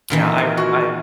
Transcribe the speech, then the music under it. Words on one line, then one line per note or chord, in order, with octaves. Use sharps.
Yeah, I r I
A#2 D#3 E3
F4
F#4 G#4 A#4